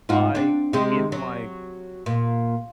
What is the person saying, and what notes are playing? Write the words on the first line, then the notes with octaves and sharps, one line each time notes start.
I, in my
G#2 F4 F#4
C4 D4
C3 G#3 C4
F#3
A#2